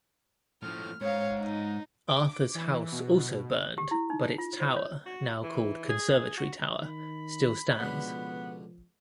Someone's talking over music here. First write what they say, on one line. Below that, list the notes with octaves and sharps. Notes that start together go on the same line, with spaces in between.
Arthur's house also burned, but its tower, now called "Conservatory Tower," still stands.
A2 F3 F6
G#2 C#5 F5
D#4
D6
E3
B2
G4
E4
D#4
F4
C5
C#5
F#4
E3
G#4
F#4
D#3 B5
C#2 B2 D3 F3 B3